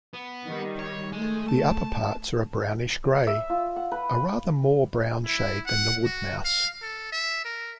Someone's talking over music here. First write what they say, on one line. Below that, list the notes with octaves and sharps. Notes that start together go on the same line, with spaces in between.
The upperparts are brownish-grey, - a rather more brown shade than the wood mouse.
B3
D#3 G3
C#5
G#3 A3
A5
E5
F4
F#5
B4
E4
F#5
F#4
F5
A4
E5
A#4